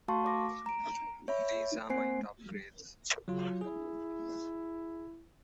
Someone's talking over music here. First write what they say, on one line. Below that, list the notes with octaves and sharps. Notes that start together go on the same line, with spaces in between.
These are my top grades.
A3 F#4 F5 A5 C6 C#6
D6 A#6
A#5 D7
C#5 E5 B5
A#3 C4 C5 G#5 C7
C#3 F#3 F4
E4 G#4